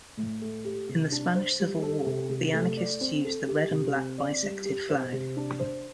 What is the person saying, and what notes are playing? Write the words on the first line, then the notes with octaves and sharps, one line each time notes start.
In the Spanish civil war, the anarchists used the red-and-black bisected flag.
A2
A3
G4
C3
D4
C5
G3
A4
C3
C3
A3
D5
C4
A4
G4
C3
C4
D5
G3
G4
C5
C3
D4
C5